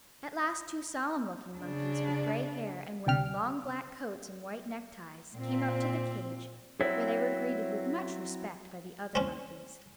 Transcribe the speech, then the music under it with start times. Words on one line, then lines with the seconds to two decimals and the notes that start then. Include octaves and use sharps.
At last two solemn-looking monkeys with gray hair, and wearing long black coats and white neckties, came up to the cage, where they were greeted with much respect by the other monkeys.
1.58 C#3 D4
3.07 D2 C3 G5 F6
5.33 A#2 C4
6.81 F#3 C4 E4 C#5
9.15 C4 C#4